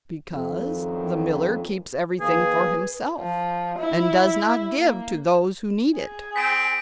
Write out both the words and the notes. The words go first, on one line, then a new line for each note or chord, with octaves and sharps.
'Because the miller keeps everything for himself, and does not give to those who need it.'
F2
F#2 D#3
D#3 A#3 G#4 B4
F3
E4
A#3
G#4
C4 B6 D7